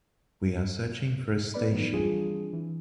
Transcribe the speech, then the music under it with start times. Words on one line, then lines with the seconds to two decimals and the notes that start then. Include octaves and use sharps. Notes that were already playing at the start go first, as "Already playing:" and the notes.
We are searching for a station.
1.54 B3 B4 D5 B5
1.71 D#3 F3 F#3 B3 D#4
1.92 E3 G3 C4 D4 F4 G#4
2.53 E3